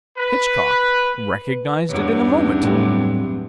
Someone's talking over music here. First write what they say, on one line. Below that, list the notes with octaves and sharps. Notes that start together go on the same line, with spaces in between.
Hitchcock recognized it in a moment.
B4
B4
E2 G2 C#5
C#4 D#4
A2 F#3 G3 C4